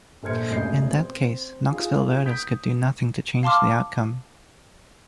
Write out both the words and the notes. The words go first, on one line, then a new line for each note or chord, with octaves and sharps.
In that case, Knoxville voters could do nothing to change the outcome.
A#1 A4 C5 F6 G#6 C#7
E1 A1 B2 D#5 G6 C7
C4
D#4 F4 G#4
D#6 G6 B6 D7
F5 A5 C6 D6 F6